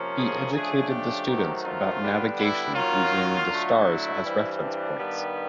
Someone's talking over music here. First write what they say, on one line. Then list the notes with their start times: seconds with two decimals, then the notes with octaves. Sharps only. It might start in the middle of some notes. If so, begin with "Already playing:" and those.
He educated the students about navigation using the stars as reference points.
Already playing: C3 F3 A#3 C#4
0.17 G#4
0.53 C#3 F3 A3 D4 G#4
0.90 G4
1.27 D#3 F#3 A3 C4
1.64 F4
2.01 D3 G3 B3 D4
2.39 E4
2.75 D#3 F#3 A#3 C#4 F4
3.49 D3 F#3 A3
3.86 E4
4.24 G2 E3 G3 C4
4.60 D4
4.97 G2 D#3 G3 B3